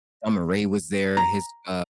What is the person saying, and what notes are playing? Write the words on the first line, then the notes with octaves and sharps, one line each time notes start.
Summer Ray was there, his uh
A#5